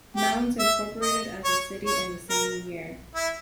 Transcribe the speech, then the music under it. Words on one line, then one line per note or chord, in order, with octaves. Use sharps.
Mounds incorporated as a city in the same year.
G4
E5
D#5
C#5
C#5
A#4
E4